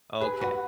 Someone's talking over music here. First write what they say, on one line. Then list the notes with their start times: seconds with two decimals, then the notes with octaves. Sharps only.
oh okay.
0.21 G#4 B4
0.40 F#4 B4